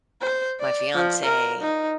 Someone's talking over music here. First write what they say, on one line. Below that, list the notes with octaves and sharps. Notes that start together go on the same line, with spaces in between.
my fiance.
C5
D5
F3
A#4
D#4